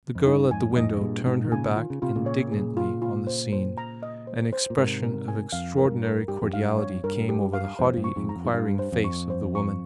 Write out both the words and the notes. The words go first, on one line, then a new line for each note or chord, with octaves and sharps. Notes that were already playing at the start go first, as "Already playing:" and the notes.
The girl at the window turned her back indignantly on the scene; an expression of extraordinary cordiality came over the haughtily inquiring face of the woman.
F2
G2 D#4
F2 G#2 G#5
F2 G#2 D#5
C3
G2 A#2 G#4
G#2 C3 D#4
D#3
A#2 C#3 G#5
D#3 F4
C#3
C3 F4
A#2 C#3
C#5
G#4
F4
F4
C5
C5
A#5
D#5
C5
C5
A#2
G#2 C3 A#4
A#4
G#5
F2 F5
G#2 A#4
G2
A#4
G2 G4
F2
G2 F5
C#5
G2 A#4
G4
F5
F2 G#2 C5
G#2
G2 A#2
C#6
F2 G#2
A#5
F2
G#2
G2 F5
C5
F2
C#6
C5
C#6